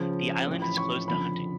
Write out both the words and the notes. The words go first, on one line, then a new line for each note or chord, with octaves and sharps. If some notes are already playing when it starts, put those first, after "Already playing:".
The island is closed to hunting.
Already playing: C#2 C#3 F3
A1 A2 F3
B5
C#6
F#1 F2 D3 F3 B5